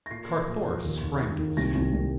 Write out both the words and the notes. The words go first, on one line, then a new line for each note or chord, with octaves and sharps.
Carthoris sprang to his feet.
A#6
A#2 C7
F3
A#2
F3
D#2
D#2
D#3
D#3
C2 A#6
C2
C2